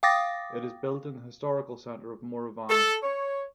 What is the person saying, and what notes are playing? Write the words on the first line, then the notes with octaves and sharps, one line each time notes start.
It is built in the historical center of Moravany.
F5 G5 D6 D#6 A6 A#6
A4
C#5